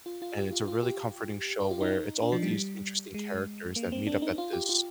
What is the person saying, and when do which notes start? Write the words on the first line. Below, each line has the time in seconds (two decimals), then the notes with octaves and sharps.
and it's a really comforting show where it's all of these interesting characters that meet up at this
0.06 F4
0.22 F4
0.37 G4
0.52 F4
0.68 F4
0.83 G4
1.60 G4
1.71 F4
1.81 D#4
2.22 D4
2.32 F3
2.43 G3
3.14 G#3
3.76 A#3
3.92 C4
4.07 D4
4.22 D#4
4.38 F4
4.53 G4
4.69 F4